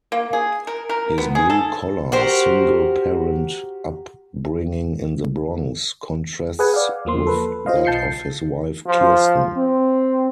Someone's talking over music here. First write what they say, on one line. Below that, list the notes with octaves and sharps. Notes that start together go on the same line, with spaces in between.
His blue-collar, single-parent upbringing in The Bronx contrasts with that of his wife Kirsten.
A#3
G#4
A#4
A#4
B3
G#4
A4
F#4 G4 A#4 C5
G#4 B4 F#5 G#5
D5 F5
E2 F3 A#3 C6
A4 B4
F4 C5 D#5 F5
B1 A5 G6 C7 C#7
F3
C4